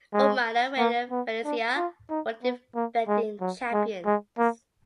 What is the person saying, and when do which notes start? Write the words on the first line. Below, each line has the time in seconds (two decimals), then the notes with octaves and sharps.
Umana Reyer Venezia were the defending champions.
0.13 G#3
0.78 A#3
1.11 B3
1.44 D4
1.77 F4
2.10 D#4
2.43 B3
2.75 A#3
3.08 G#3
3.41 F#3
3.73 G#3
4.06 G#3
4.38 A#3